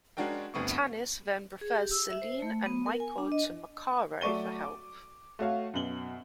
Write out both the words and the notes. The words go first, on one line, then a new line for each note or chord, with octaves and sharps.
Tanis then refers Selene and Michael to Macaro for help.
G#3 C#4 D4 F#4 A#4 G5
G1 D2 B3 C4 C#6
G#4
G4
E6
E5
C5
A3
B3
A#4
G#5
D4
D#5
F#3 A3 D5 C#6 D#7 G7
D6
A3 F#4 C#5 F5
F#2 B2 F#7 G7